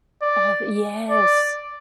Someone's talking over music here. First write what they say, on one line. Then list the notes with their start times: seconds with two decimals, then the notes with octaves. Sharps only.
Oh yes.
0.22 D5
1.10 D5